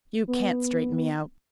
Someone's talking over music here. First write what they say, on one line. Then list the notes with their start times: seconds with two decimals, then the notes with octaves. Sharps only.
"You can't straighten me out."
0.28 B3